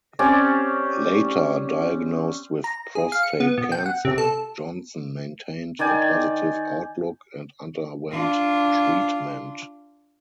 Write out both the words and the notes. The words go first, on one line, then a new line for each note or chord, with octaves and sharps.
Later diagnosed with prostate cancer, Johnson maintained a positive outlook and underwent treatment.
C4 C#4 G4 D5
A#5
G#4
F5
C#7
B3
B2
G5
F#5
C3
A4
D#3 D5 G5 G#5
D4 F4